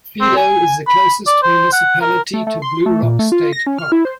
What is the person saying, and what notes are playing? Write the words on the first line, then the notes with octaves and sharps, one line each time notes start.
Philo is the closest municipality to Blue Rock State Park.
C4
G#5
B5
D5
C5
F#5
A#4
A3
A3
C6
A3
A#2
A3
F4
A#6
C#4
F6
E4
C5